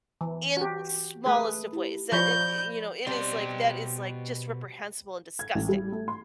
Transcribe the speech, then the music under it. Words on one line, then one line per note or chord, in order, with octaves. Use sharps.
in the smallest of ways that it, uh, you know, it is, like, that is, like, just reprehensible and disgusting,
E3
F#4 G4
A3 G#4 B4
E4 G4
F3 C#5 D5 B5 G6 A#6
B2 G3 C4 C6
G#6
A1
G3
A3
C6